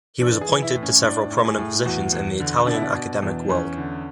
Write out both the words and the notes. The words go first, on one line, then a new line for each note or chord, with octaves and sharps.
He was appointed to several prominent positions in the Italian academic world.
E3 D4
G#4
E3
E4
A2
C#4
A2 D4
A2
G#4
A2
E2 F#4
E2
D3
B2 D4
E4
D4
B2
E2
E2 C#4
D3